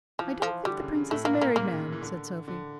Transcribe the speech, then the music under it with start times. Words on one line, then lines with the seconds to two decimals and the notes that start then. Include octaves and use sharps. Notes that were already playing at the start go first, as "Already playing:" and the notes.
"I don't think the prince is a married man," said Sophy.
0.19 E3 F3
0.42 E3 F3
0.65 D3 G3
0.81 C#3
0.95 C#3
1.10 A2 A3
1.25 A#3
1.33 A#2
1.41 A#3
1.51 A#2
1.56 C#3 A#3
1.92 E3
2.02 D3
2.48 D3